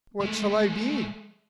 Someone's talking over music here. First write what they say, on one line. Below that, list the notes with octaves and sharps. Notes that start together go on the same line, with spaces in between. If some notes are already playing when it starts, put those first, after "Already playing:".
"What shall I be?"
G#3 A3